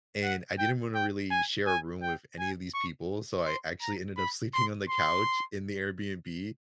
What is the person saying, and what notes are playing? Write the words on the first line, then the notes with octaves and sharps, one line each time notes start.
And I didn't wanna really share a room with any of these people, so I actually ended up sleeping on the couch, in the Airbnb,
F#5
G5
G5
G#5
G#5
G5
G#5
C#6
C6
A#5
B5
C6
C6